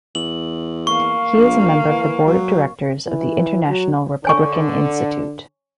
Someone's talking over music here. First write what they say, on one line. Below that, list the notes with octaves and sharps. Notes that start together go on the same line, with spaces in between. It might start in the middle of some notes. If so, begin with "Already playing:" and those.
He is a member of the board of directors of the International Republican Institute.
E2 F#7
A#3 F5 C#6
A#1
E3
F#3
E3
F#3
D3 C#5 G#5 C#6